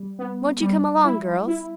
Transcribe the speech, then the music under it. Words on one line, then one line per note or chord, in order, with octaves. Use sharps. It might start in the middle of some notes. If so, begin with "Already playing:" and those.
"Won't you come along, girls?"
Already playing: G3
B3
G3
E4
E4